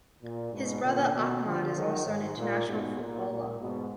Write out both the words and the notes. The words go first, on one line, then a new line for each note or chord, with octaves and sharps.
His brother Ahmad is also an international footballer.
A#2
G#2 B2
A#2 D3
B2 D#3
D3 F3
D#3 F#3
G#2
A#2
G#2 B2
A#2
A#2
G#2 B2